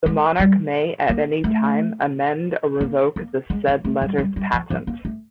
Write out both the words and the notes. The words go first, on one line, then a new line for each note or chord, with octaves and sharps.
The monarch may at any time amend or revoke the said letters patent.
G#3
G3
A#3
A3
A#3
A#3
G#3
A#3
A3
G3
G3
G3
F3
F3
A#3
A3